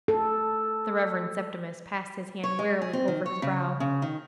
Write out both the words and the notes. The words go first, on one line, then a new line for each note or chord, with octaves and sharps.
The Reverend Septimus passed his hand wearily over his brow.
A4
C#5
G#3
G#4
C4
D#3
C#5
C#3
C#3
D#3